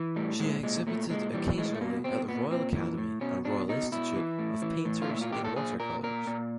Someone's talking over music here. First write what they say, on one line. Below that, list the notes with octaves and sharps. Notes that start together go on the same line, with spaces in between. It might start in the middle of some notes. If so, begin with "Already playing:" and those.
She exhibited occasionally at the Royal Academy and Royal Institute of Painters in Watercolours.
Already playing: E3
A2 G3
A#2 G#3
A#2 G#3
A#2 A3
A#2 G#3
E3 G3
A2 G#3
A3
B2 A#3
B2 C4
A#2 B3
A#2 C4
E3
A2
B2 C#4
B2 D4
B2 D#4
B2 E4
E3
A2
E3
A2
F4
A#2 E4
F4
A#2 G4
A4
A#2 G#4
A#2 A#4
A#2 A#4
A#2